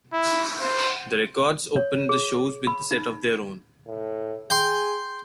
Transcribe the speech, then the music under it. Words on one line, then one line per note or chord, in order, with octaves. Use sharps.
The Records opened the shows with a set of their own.
E4
C5
C#5
G#4
B5
D#4
A2
G#4 G5 C6